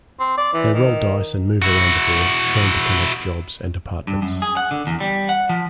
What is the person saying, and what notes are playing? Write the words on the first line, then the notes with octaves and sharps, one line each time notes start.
They roll dice and move around the board, trying to collect jobs and apartments.
C4
D5
E3
D#3
E4 F#4
G2
F#2
G#4
F#5
D3
E2
G3
F#5
F3